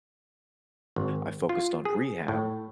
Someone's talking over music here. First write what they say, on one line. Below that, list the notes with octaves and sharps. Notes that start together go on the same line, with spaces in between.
I focused on rehab
G#1
F4
G#4
A2